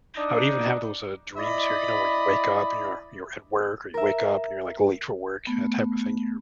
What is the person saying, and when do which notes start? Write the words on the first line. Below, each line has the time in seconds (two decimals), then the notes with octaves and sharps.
I would even have those, uh, dreams here, you know, where you wake up and you're you're at work or you wake up and you're, like, late for work, that type of thing here
0.16 D4 D#4
1.38 E4 D5 D#5 B5
3.94 A#4 E5
5.47 A3 B3